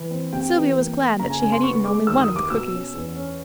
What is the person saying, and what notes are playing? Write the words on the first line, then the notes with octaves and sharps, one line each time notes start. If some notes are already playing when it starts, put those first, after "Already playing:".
Sylvia was glad that she had eaten only one of the cookies.
Already playing: E3
C4
C3 G5
E3
A#3
A#3
C#3 A#5
G#5
C#3 G#5
C6
B3 C#6
G#3 D6
D#2 E6
D#6
D#2
D6
B2 E6
C#4
E2
C#4